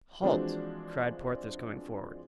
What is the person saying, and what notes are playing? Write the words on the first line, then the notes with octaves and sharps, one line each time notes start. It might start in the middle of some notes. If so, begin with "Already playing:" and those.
"Halt!" cried Porthos coming forward.
E3 F3 G#3 C4 D4 F#4